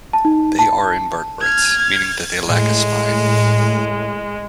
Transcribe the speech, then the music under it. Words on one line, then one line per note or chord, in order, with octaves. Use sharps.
They are invertebrates, meaning that they lack a spine.
A5
D#4
A5
F6 G#6
A2 G#3